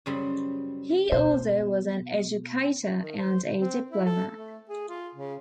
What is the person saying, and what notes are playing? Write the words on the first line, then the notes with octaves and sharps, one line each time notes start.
He also was an educator and a diplomat.
F#2 C#3 G3 C5 B5
B2 C5
D#3
C5
D3
C4
E4
A4
A3
G#4
F4
C#3